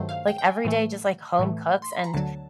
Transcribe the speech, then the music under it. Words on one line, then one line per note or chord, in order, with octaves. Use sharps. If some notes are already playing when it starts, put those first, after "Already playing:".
like, everyday just, like, home cooks, and
Already playing: G2 D#3 F#3 A3 C5
F5
G5
G5
G#5
A2 E3 A3
A2 E3 A3
C6
B5
A#5
D2 D3 F#3 A5